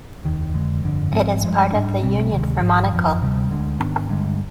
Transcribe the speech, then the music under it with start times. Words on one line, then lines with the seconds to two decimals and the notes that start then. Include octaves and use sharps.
It is part of the Union for Monaco.
0.24 F1 D#2 D#3
0.53 F2 D3 G#3
0.83 G1 F2 D3
1.12 G#1 G#2 F3 C4
1.42 G2 F3 G#3
1.72 G#2 G3 B3 D4
2.02 B1 B2 G3 C4
2.31 D2 C3 D#3 G#3
2.60 G#1 G#2 F3
2.91 G1 F2 C3 F3
3.20 D2 C3 G3
3.50 D2 D3 G#3 D4
3.79 G#2 D#3 B3 D4
4.09 G2 D3 G#3